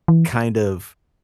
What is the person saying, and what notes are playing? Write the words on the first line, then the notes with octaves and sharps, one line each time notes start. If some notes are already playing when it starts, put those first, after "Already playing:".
kind of
E3